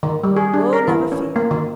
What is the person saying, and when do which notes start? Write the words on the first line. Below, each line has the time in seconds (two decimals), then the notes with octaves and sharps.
'Oh! never fear!
0.03 D#3
0.24 G3
0.37 G#4
0.54 D4
0.73 A#4
0.88 E3
1.12 C#4
1.36 A#3
1.51 D#3